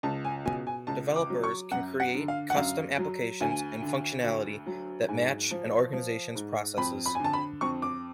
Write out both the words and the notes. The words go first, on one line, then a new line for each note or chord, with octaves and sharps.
Developers can create custom applications and functionality that match an organization's processes.
C#2 A5
G#5
B2 G#5
G#5
C#2 A5
D6
F#3
C#6
F#2 F#5
F#5
D3
F5
F#5
F#2 F5
F#3
D2 G#5
D3
D2
F#3
G#2 G#5
F3
F3
G#2
F2 B5
B5
G#5
D3 A5
B5
F2 C#6
D6